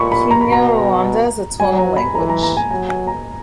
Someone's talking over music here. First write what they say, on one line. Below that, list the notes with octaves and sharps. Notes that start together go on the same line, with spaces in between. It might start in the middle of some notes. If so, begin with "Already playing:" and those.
Kinyarwanda is a tonal language.
Already playing: A#2 B5 C#6
B5
A#5
B5
B2 A#5
F#3 G#5
A#5
B5
E3 A#5
A#5
A#5
G#5
F#3 G#5
G#5
A#5